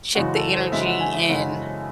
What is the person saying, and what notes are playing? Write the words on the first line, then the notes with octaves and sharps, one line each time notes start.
check the energy, and
F#2 C#3 E3 G#3 F#4
A4
C5
F#2 C#3 E3 G#3 E5
F#5
G#5
E5
F#2 C#3 E3 G#3 F#5